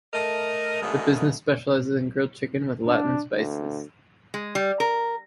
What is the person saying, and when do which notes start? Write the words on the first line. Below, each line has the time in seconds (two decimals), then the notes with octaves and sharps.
The business specializes in grilled chicken with Latin spices.
0.13 A3 A#4 D#5
0.81 G#2 B2 D3 D#3 G#3 A3
2.86 D4
3.33 D2
4.34 G#3
4.55 G3
4.80 A#4